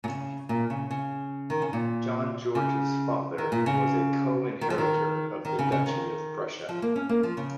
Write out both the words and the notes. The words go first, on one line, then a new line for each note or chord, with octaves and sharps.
John George's father was a co-inheritor of the Duchy of Prussia.
A#2
C#3
A#2
C#3
C#3
D#3
C#3
A#2
C#3
D#3
A#2
C#3
D#3
F3
D#3
D#3
C#3
C#3
D#3
F3
A#3
C#4
A#3
F3
C#3